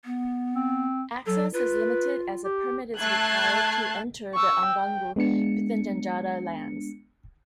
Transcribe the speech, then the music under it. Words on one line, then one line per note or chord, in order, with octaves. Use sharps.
Access is limited as a permit is required to enter the Anangu Pitjantjatjara lands.
B3
C4
F#3 A4
F4 B4
G4
A3 A5 F#6 G#6 C7
C#6 E6
G5
G#3 B3 D4 C#7